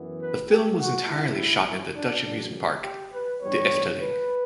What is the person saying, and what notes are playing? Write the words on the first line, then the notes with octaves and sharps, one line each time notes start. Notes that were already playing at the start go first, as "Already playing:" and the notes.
The film was entirely shot in the Dutch amusement park De Efteling.
Already playing: F#2 E3 B3
B4
G4
F#4
C#2 C#3 G3 E4
D4
G1 F#2 C#3 E3 D4
G4
B4
G2 E3 G3 B3 C#5
B4